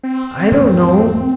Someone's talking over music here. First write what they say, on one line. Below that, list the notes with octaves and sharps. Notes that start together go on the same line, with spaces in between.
"I don't know."
C4
E2 G#2 F#3